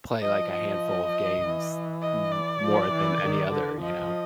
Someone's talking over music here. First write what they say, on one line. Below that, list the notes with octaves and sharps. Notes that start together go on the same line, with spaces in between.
play, like, a handful of games, m more than any other, you know.
F3 D#5
D#5
E3
D#5
D5
F3
E3
D#3
D3
F3 D#5